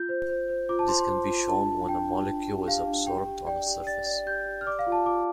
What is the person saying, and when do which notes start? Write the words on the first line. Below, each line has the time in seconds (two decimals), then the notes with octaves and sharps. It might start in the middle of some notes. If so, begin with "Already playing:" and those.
This can be shown when a molecule is adsorbed on a surface.
Already playing: F4 G6
0.09 C5
0.29 C5
0.49 C5
0.69 F4 D6
0.79 A5
0.88 C5 C6
0.99 C6
1.09 C5
1.28 F4
1.48 D4 A5
1.68 D4
1.89 D4 G5
2.09 D4
2.28 D4
2.48 G4
2.67 G4 F5
2.87 D4
3.07 G4 G5
3.27 G4
3.47 D5 G5
3.67 G4
3.87 D5 A6
4.06 D5
4.27 G4 G6
4.46 G4
4.61 F6
4.66 D5 D6
4.79 F5
4.87 F4
4.92 A5
5.06 F4 D6